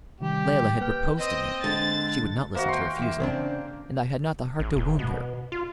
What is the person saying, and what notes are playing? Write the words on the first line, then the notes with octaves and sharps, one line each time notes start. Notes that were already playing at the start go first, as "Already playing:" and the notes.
Layelah had proposed to me, she would not listen to refusal, and I had not the heart to wound her.
C3 D#3 G3 G4
A#3 B4 G5 F6
C4 D#5
D3 G#3 A4 D#5 A6
D#2 A#3 F#4 C5 E5
G5 C6
E3 E5
C#3 C4 D4
A1
E1
B2
F4